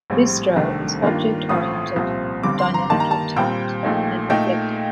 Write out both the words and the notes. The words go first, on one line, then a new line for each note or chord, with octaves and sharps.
Bistro is object oriented, dynamically typed, and reflective.
A#1 A2 G3 C4
C2 C3 D#3 A3 D4
G2 D#3 A#3 D4 F4
A1 A2 A3 C4 F4 D#6
C2 A#2 F3 C4 F4
G1 G2 D3 G3 C4 D6
C6
A#5
G2 D#3 A#3 D#4 A5
A#5
A5
A#2 G3 C4 G5
A#1 A#2 A3 D#4
A#2 A3 D#4 G5